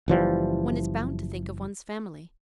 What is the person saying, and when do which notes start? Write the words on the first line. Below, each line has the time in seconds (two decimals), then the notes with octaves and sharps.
One is bound to think of one's family.
0.08 F#1 E3 F3 G3